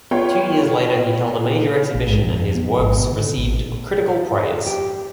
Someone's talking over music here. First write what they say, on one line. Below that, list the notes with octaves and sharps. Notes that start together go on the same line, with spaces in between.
Two years later, he held a major exhibition and his works received critical praise.
B3 F4 C#5 G5
A#1
G#2
F2
B3
G#1
B2
D3
A1
G4